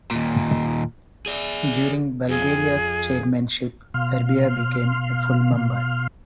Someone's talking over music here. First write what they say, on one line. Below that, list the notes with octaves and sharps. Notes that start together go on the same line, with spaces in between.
During Bulgaria's chairmanship, Serbia became a full member.
D#2 A#2
G#4 D5
F2 G#4
B2 F5 C6 F6